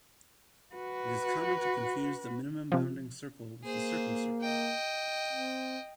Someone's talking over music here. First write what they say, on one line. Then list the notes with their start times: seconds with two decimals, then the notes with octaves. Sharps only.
It is common to confuse the minimum bounding circle with the circumcircle.
0.75 F#4 B4
2.72 C3 F3
3.64 A#3 G#4 C5
4.41 D#5 G5
5.33 C4